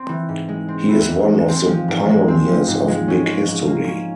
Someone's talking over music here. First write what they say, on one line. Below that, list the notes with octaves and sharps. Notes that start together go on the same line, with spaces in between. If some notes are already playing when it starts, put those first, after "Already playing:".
He is one of the pioneers of big history.
Already playing: C4
E3
G#2
G#3
C4
E3
G#2
G#3
C4
F3
G#2
G#3
C4
F3
G#2
G#3
C#4
F3
G#2
A#3
C#4